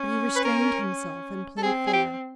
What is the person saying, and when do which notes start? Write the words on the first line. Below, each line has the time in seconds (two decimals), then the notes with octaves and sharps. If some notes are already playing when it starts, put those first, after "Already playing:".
But he restrained himself and played fair.
Already playing: C#4
0.36 B4
0.45 A#4
1.58 A4
1.63 C4 G#4
1.87 G#4
1.93 G4